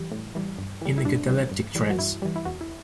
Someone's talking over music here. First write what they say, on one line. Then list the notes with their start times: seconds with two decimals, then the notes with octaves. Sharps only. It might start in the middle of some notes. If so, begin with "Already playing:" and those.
In a cataleptic trance.
Already playing: E3 G3
0.11 A2
0.35 E3 G3
0.58 G2
0.81 E3 G3
0.98 E4
1.05 G2 D4
1.28 E3 G3
1.51 G2
1.75 E3 G3
1.90 F#4
1.99 G2 E4
2.22 E3 G3
2.36 E4
2.45 E2 F#4
2.61 E4